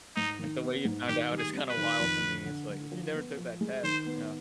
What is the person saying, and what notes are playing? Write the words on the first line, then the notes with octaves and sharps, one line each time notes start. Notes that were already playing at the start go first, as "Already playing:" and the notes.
like, the way you found out is kinda wild to me. It's like, if you never took that test, you know,
G#2 D#4
D#3
B3
G#2
D#3 G4
G3
G#4
C4
B4
D#3
F2
D3
D3
D3
F3
B3
F3
G#3
D#3 C5
B3